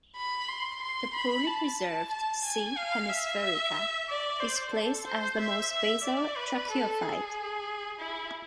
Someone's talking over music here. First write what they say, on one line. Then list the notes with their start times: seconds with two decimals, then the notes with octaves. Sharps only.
The poorly preserved "C. hemisphaerica" is placed as the most basal tracheophyte.
0.16 B5
0.48 C6
0.81 C6
1.14 B5
1.47 A5
1.79 A5
2.11 A5
2.44 G#5
2.77 F5
3.10 E5
4.09 D5
4.40 C5
4.73 A4
5.06 C5
5.39 E5
5.71 E5
6.04 D5
6.37 B4
6.70 A4
7.02 G#4
7.99 E4